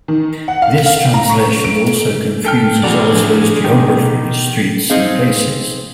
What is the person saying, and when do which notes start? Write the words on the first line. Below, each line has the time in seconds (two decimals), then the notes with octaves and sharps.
This translation also confuses Oslo's geography-streets and places.
0.08 D#3
0.48 F#5
0.62 F5
0.86 F5
1.14 A#5
1.30 C#6
1.64 D7
2.45 A4 G5 F6
2.83 E2 A2 F#4 G#4 D5 A#5
3.12 D3 F3
3.64 D#3 G4
3.96 B2
4.90 C4 D#4 G#4 F5